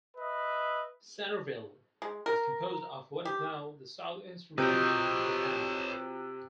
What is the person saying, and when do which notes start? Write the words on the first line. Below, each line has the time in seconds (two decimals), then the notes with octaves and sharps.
Centerville was composed of what is now the southeastern portion of the town.
0.17 B4 D#5 E5
2.02 G#3
2.26 A#4
3.25 G4
4.58 C3 F4 F#4 B4 C#5 D#5 G5